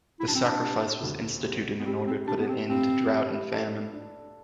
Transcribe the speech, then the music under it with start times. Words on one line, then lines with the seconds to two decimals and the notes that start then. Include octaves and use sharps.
The sacrifice was instituted in order to put an end to drought and famine.
0.20 F#3 E4
0.28 D4
0.35 C4
0.43 D4
0.61 C3
1.03 D2
1.44 C3
1.79 B3
1.86 G3 C4
2.07 C4
2.27 G3 D4
2.40 B3
2.48 C4
2.69 G2 C4
3.11 G3
3.52 A4
3.93 D4